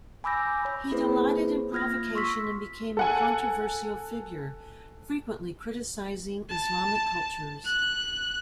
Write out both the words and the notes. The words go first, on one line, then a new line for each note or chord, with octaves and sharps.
He delighted in provocation and became a controversial figure, frequently criticizing Islamic cultures.
G#5 B5 D6 E6 G6 A#6
C#5 B5
A#3 C4 E4 G#4 B4 C5
A#3 F4 F6 G#6 A#6
C6 C#6 E6 B6
A4 F#5 G#5
A5
F#6